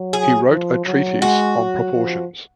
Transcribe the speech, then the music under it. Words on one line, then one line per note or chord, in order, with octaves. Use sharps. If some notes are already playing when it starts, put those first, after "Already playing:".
He wrote a treatise on proportions.
Already playing: F#3
G#4
F3
F#3
G#3 F#4
F#3
F3